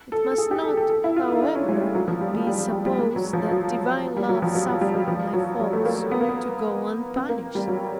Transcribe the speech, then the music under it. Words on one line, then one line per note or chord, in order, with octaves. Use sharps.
It must not, however, be supposed that divine love suffered my faults to go unpunished.
A4
A4
G#4
G4
A4
A4
A4
E4
F4
D#4
D4
C#4
G#3
G3
F#3
F3
G3
G#3
G3
G3
G3
G#3
F#3
F3
F#3
G3
F#3
F3
F#3
F#3
G3
F#3
F3
F#3
G3
A3
A#3
B3
A#3
B3
C4
A#3
G3
F#3